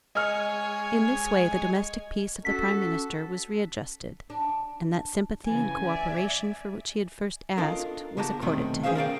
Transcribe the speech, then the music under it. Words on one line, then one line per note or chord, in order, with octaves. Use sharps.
In this way the domestic peace of the Prime Minister was readjusted, and that sympathy and co-operation for which he had first asked was accorded to him.
G#3 C#5 D#5 G#5 F6
C#4 F#4 A4 B6
D4
C#3 E3 G#5
D5 E5
D4 D#4 F4 A4 A#4
C#3 B3 G4 A5 A#5
B1 E2 C3 D#3 A3
B3 C#4 G#4 C5 E5 F5
A#4 D5 F5 G5